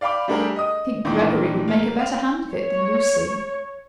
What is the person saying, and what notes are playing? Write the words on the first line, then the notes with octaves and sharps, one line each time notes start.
"I think Gregory would make a better hand of it than Lucy."
D5 F5 G5 B5 D6
G3 A3 D4 G#4 A#4 G5
D#5 D#6
A#2 D#3 E3 D4
A#3
F5
C#5